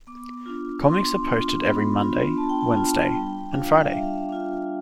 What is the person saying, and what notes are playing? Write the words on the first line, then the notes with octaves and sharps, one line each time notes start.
Comics are posted every Monday, Wednesday, and Friday.
B3 D6
D4 F4
B3 C6
D4 F4
B3 B5
D4 F4
B3 A5
G5
A5
D4 F4
G3 G5
D4 F4 F5
G5
F5
G3 E5
D4 F4